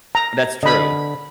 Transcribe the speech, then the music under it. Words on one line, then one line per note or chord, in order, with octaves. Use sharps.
That's true.
A#5
D3 D#5 B5